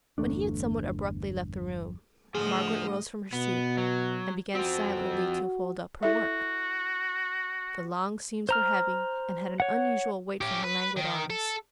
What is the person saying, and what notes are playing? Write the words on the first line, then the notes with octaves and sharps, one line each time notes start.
When he had somewhat abruptly left the room, Margaret rose from her seat, and began silently to fold up her work; the long seams were heavy, and had an unusual weight for her languid arms.
G1 E2 A3 D4
D2 A2 F3 G#4 D#5
B2 B3
F#3
F3 C4 F#4
E4 F#4 A4 E5
C5 A#5 F6
C#5 F#5
C#4 G4
B4
D#3
A4